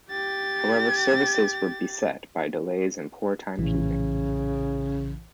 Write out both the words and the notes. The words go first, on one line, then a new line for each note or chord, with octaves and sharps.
However, services were beset by delays and poor timekeeping.
G4 A6
A#1 A2 C#3 E3